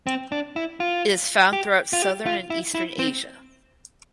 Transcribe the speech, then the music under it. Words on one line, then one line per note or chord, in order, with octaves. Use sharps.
It is found throughout southern and eastern Asia.
C4
D4
E4
F4
G4
F4
G4
F4
E4
E4
C4